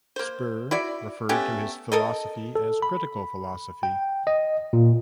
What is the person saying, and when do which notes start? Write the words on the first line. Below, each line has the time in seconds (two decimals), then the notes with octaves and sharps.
Spir referred to his philosophy as "critical philosophy".
0.16 A#3 C5
0.71 E4 F#4 D5
1.29 A3 B3 C#4 G4
1.92 A4 A#4 D#5
2.55 A4
2.82 B5
3.83 G5
4.27 D#5
4.73 A#2